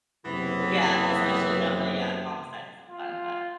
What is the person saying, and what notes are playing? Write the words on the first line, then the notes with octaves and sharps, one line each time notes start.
Well, yeah, especially not uh, yeah, homicide isn't fun, but
F#1 F#2 C3 E3 B3
F4